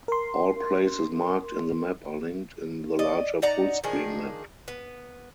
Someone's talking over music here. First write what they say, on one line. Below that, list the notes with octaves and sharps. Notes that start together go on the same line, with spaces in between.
All places marked in the map are linked in the larger full screen map.
A#4 C6
D5 D#5
D#4 D5 F#5 A#5
D#3 F3 D4 G#4
B3